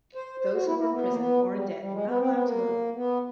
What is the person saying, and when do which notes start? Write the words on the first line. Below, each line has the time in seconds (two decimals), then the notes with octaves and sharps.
Those who were imprisoned or in debt were not allowed to vote.
0.15 C5
0.40 C5
0.53 F#4
0.67 E4
0.78 E4
0.91 B3
1.10 A#3
1.17 B3
1.55 G3
1.81 G3
1.93 G#3
2.07 B3
2.19 C4
2.32 B3
2.44 A#3
2.95 B3